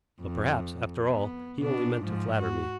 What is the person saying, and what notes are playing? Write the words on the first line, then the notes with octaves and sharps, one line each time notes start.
But perhaps, after all, he only meant to flatter me.
F2
B3
B2 D4
G#2 F3
F#4